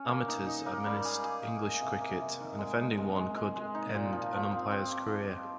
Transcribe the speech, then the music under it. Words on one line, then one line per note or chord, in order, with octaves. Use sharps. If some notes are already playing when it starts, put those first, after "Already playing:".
Amateurs administered English cricket, and offending one could end an umpire's career.
Already playing: C#4
A#3
D#4
D#4
A#3
G3
G#4
G#4
A#3
G#4
C3
A#3
C3
D#3
G#3
G#3
G#3
G#3
G#3
G#3
D#4
A#2
F3
F3
C4
C4
G4
F3
G4